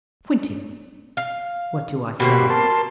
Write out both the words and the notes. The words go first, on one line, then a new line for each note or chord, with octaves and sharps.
Twenty! what do I say?
F5
B2 A#3 C4 F#4 G4 B5
A#4 A5 C6